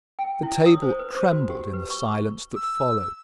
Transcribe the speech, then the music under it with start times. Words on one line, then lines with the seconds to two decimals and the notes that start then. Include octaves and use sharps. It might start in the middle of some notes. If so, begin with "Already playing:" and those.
The table trembled in the silence that followed.
0.19 G5
0.43 E4
0.54 C#5
0.66 D#6
0.82 C5
0.99 B4
1.15 C5
1.32 F#4
1.50 G4
1.73 B4
1.90 C#6
2.56 E6